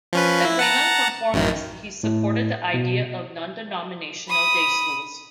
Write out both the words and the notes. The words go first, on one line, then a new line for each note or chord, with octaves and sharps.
As a non-conformist he supported the idea of non-denominational day schools.
F3 C#4 B4
E4
F#5 A5 A#5
A1 F#2 D#3
A2
B2
B5 D#6